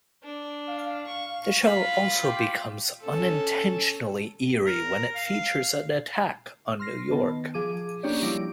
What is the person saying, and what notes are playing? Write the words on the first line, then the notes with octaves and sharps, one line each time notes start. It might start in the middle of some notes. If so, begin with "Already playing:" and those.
The show also becomes unintentionally eerie when it features an attack on New York.
D4
F5
C#6
F4 B5
G5 C6 D6
C#4 A4
A#4
F5
C6 F6 A#6 C7
D#3 B3 A5
F3 G#4 D6 D#7
A#3 C#4 D4 G4 C#5 D5
F3 G3 E4 D6 A#6 D7